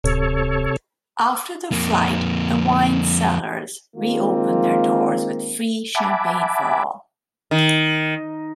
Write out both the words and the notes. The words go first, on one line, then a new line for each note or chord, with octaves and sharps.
After the flight, the wine cellars reopened their doors with free champagne for all.
D1 C3 A4 C#5
F2 A#3
D#3 G#3 A#3 C4 F4
E5 F#5 G#5 A5 B5 D6
D#3